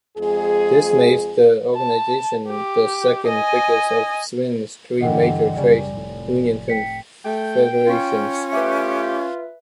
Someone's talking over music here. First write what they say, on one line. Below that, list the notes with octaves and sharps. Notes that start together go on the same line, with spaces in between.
This makes the organization the second biggest of Sweden's three major trade union confederations.
F2 G#3 G#4
A5
G4
D#5 G#5
G2 D3 E3 D#5 F#5 G5
F#1 C#3 G3 D5 G#5
F1 A2
G5 B6 C#7
A3 G5
C#4 F4
A3 G4 B4 E5